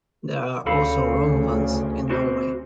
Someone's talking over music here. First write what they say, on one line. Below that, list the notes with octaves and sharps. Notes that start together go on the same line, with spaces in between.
There are also Romuvans in Norway.
D2 C#3 A4 F5 B5
C4 F#4 C5